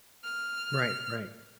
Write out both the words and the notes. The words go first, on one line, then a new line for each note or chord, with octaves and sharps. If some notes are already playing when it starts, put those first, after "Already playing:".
Right, right.
F6